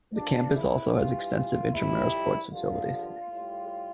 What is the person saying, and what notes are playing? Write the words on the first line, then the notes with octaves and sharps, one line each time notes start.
The campus also has extensive intramural sports facilities.
G2 F3 D4
E4
G2 E3 G3 F4
F4
F2 C3 G3 E4
G2 D3 F3 F4
A2 G3